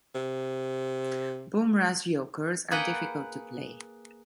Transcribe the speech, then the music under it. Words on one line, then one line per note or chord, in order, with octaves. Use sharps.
Bumrah's yokers are difficult to play.
C3
A#3 G#4 B4 F#5 G5